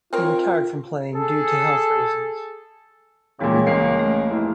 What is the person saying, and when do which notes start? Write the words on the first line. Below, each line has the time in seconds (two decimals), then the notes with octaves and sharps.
He retired from playing due to health reasons.
0.13 C4 F4 A#4 C#5
1.14 G#4 A4
3.40 D#2 A#2 C#3 E3 G3 G#3
3.67 C#2 A#3 C7
3.99 A3
4.30 F1 E3